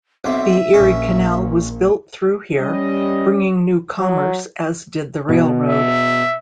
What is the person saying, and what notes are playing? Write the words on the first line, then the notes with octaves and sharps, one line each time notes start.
The Erie Canal was built through here, bringing new commerce, as did the railroad.
B1 C4 E5
A#1 A#2 C#4
G3 C#4 D#5
F#3
B2
E5